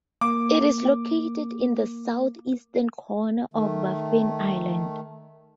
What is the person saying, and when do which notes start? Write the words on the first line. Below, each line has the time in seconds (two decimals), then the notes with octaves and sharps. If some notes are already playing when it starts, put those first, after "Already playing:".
It is located in the southeastern corner of Baffin Island.
0.21 A#3 D6
3.54 D#3 A3